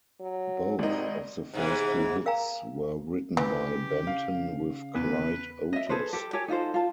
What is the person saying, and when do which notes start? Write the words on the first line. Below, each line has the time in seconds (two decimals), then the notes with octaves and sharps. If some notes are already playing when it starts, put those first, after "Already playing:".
Both of the first two hits were written by Benton with Clyde Otis.
0.20 F#3
0.79 G#1 C3 D#4
1.54 G#2 C3 E3
2.26 A#4 F5 G5 G#5 A#5 E6
3.37 C#3 E3 G4
4.07 F5
4.95 E2 B4
5.73 D#5 E5
5.90 G#4 A4 B4 C5
6.13 G4 A4
6.33 G4 A4 C#5 G#5
6.48 D#4 F4 A4 C5
6.74 F4 A5